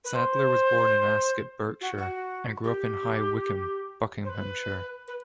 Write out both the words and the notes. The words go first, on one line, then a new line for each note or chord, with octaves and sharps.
Sadler was born in Ascot, Berkshire, and grew up in High Wycombe, Buckinghamshire.
B4
C5
F#4
F#4
G4
C5
B4
B4